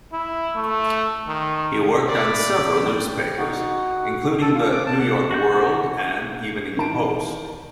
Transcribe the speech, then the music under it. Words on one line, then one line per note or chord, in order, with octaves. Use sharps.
He worked on several newspapers, including the "New York World" and "Evening Post".
E4
A3
D#3
D5 B5
G5
D#4 F#4 F#5
A4
F4
D6
A5
F#5
F#4 F#5 G6
D#3 E3 A5 D7